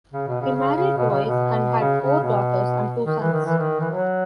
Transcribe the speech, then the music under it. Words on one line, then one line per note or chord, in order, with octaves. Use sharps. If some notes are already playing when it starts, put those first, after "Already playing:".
He married twice and had four daughters and two sons.
C#3
B2
C#3
C#3
C#3
B2
C#3
B2
C#3
C#3
B2
D#3
E3
D#3
E3
D#3
E3
F#3